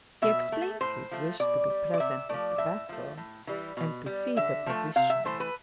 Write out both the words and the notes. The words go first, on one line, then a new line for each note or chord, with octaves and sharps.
He explained his wish to be present at the battle and to see the position.
B2 E5
A3
A2 C5
F3 A3
B2 D5
G3
D5
C3 E5
F3 A3 D5
A2 E5
F3 A3
A2
E3 G3
B2
G3
D3 E5
F3 A3
C3 F5
E5
E3 A3 C5
B4